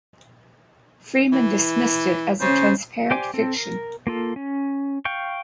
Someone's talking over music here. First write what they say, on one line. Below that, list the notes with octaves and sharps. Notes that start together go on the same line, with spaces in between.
Freeman dismissed it as a transparent fiction.
E3
C#3 C#4 C5
G4 C5 D5 G#5 D6
C4 A4
A#4
A#3 F4 A4
C#4
F5 G5 C#6